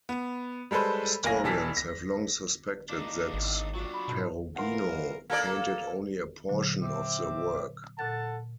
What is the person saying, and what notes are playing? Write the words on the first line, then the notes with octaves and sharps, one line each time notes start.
Historians have long suspected that Perugino painted only a portion of the work.
B3
G3 G#3 A4 B4 C5
F#1 A#3 G#5 A#6
E1 E3 A5 B6
A#6
A#3 D4 D#4 E7
G#1
F#3 D4 F4
B5 C6
G#2 B2 C5 A5
D#2 E3 A#4 F5 F#5 C6
A#3 A4 D5
A#2 D3 F#3
C4 E5 D6
A#2 A4 F#5 A5 F#6 A6